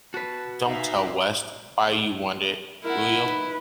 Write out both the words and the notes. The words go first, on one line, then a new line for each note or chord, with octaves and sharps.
Don't tell West why you want it, will you?
F#4 B4 A5
D#4 G#4 E5 F5
E4 A#4 F#5
D#4 B4